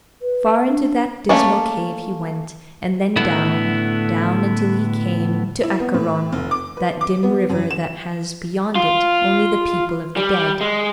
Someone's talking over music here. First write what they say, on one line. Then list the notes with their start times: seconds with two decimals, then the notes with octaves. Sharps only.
Far into that dismal cave he went, and then down, down, until he came to Acheron, that dim river that has beyond it only the people of the dead.
0.22 B4
0.68 D4
1.29 A3 A#3 C#4 D5
3.16 A2 D3 B3 E4
5.64 E4
5.80 B3
5.94 A2
6.32 F1
6.51 D6
6.77 B4
7.01 D6
7.23 B3
7.50 F#2
7.71 E7
8.75 F4
10.16 G3
10.61 G#3